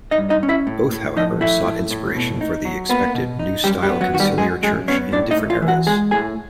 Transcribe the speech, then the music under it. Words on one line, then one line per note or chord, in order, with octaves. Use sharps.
Both however sought inspiration for the expected new style conciliar church in different eras.
D#4 D#5
G2
D#4 D#5
C#4
E4 E5
A2
A2
F3 D#4 D#5
A3 E4 E5
A2
A2
B2
D#4
F#3
A#3 B3 B4
B2
D#4
F#2 G3 G4
G3 G4
B3
F#3 F#4
D#3 F#4
G3 G4
F#3 G#3 G#4
F#2 G#3 G#4
B3 C#4 C#5
A2 D4 D5
D#4 D#5
A2
F4 F5
E3
F#4 F#5
G#3 G#4 G#5
A2 G#4 G#5